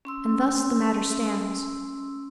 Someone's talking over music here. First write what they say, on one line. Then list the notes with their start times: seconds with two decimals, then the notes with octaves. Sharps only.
And thus the matter stands.
0.05 C#4 C6 E6